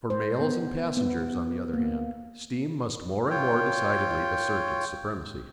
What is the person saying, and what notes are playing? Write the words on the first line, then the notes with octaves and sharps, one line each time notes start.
For mails and passengers, on the other hand, steam must more and more decidedly assert its supremacy.
C5
B3
B3
A#3
F4 C#5 G5